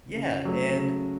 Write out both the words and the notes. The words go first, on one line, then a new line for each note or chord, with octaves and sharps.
Yeah, and
C#3
F#3 A3
C#3